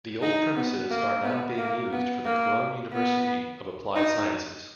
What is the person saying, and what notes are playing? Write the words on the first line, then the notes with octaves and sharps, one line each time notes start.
The old premises are now being used for the Cologne University of Applied Sciences.
D#4
B3
A#3
B3
A#3
B3
A#3
B3
D#4